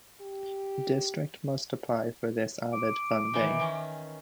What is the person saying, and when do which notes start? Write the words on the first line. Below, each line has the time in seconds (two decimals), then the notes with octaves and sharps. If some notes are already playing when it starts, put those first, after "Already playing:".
The District must apply for this added funding.
0.21 G4
2.73 D6
3.33 D#3 E3
3.59 D#3 C#4